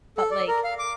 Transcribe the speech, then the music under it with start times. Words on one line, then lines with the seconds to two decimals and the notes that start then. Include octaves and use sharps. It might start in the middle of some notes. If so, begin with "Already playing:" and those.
But like
0.18 A4
0.31 D5
0.48 A#4
0.64 F5
0.79 D6